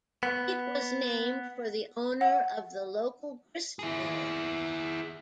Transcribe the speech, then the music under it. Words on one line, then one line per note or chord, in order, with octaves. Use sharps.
It was named for the owner of the local grist mill.
B3
F#5
E4 G#4